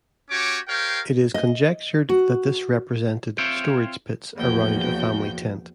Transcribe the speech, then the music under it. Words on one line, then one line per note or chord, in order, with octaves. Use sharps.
It is conjectured that this represented storage pits around a family tent.
C#4 F#4 G4 C#5 D6
G4 A#4 C5 C#5 F5 G5
D#5
F#4
C4 F4 C5 C#5 E5 G5
E2 F3 A#3 F#4 G5 G6